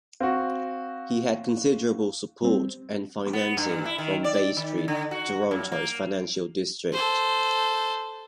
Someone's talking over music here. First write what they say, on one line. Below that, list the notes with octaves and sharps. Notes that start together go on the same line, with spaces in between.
He had considerable support and financing from Bay Street, Toronto's financial district.
C4 F#4 F5
G3 C4
B3
G2
E4
D#3
D5
D#3
D3
F#4
F#2
A#3
A4 C5